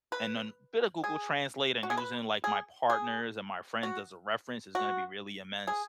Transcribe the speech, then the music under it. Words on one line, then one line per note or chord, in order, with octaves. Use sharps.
and then a bit of Google Translate and using, like, my partners and my friends as a reference is gonna be really immense.
B4
G#4
F#4
G#4
B4
G#4
G#4
F#4
F#4
G#4